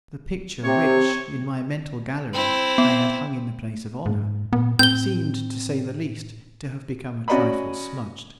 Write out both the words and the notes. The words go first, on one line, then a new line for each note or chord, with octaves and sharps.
The picture which, in my mental gallery, I had hung in the place of honour, seemed, to say the least, to have become a trifle smudged.
C3 C4 C#5
C4 E4
B3
G#2
A#2 B3
A2 C4 G6 G7
C#4 F#4 D5 D#5 A#5 B5